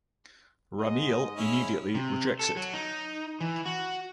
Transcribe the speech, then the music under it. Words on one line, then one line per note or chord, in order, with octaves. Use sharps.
Remiel immediately rejects it.
G#2 D#5
G#2 C#4 E4
C3
A4
F#3
D#4
E3
F#4